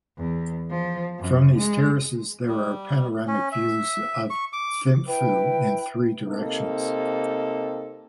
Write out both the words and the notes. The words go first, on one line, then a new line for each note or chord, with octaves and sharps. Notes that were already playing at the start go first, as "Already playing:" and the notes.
From these terraces there are panoramic views of Thimphu in three directions.
E2
F3
F#2
G#3
G3
C#4
E5
C#6
D6
E4 B4 G5
C3 A#3 C4 D#4 A4